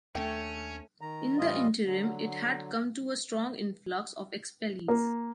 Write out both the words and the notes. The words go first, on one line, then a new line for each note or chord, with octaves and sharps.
In the interim it had come to a strong influx of expellees.
D#2 A3 C#4 D4 G5
D#3 A#5
A2 E3 G3 F4 D#5
D3 F#3
A#3